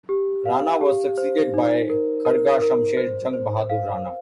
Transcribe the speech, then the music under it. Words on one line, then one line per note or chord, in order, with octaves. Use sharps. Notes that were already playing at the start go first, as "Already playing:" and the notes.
Rana was succeeded by Khadga Shumsher Jung Bahadur Rana.
G4
F5
G4
C5
D#4
A#4
A#4
A#4
C5
C5
F5